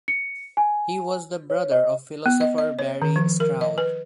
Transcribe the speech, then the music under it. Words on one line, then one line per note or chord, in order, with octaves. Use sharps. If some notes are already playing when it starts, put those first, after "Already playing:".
He was the brother of philosopher Barry Stroud.
C#7
G#5
C#5
D#5
B3
D#5
D#5
C#5
D#3
F3
A#4
D#5
B4